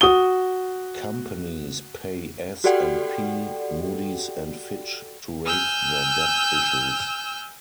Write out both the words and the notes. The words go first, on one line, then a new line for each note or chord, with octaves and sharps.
Companies pay S and P, Moody's and Fitch to rate their debt issues.
F#4 D#6 G7
F#4 G4 A4 D5 F#5 G5
G#5 E6 F6 G6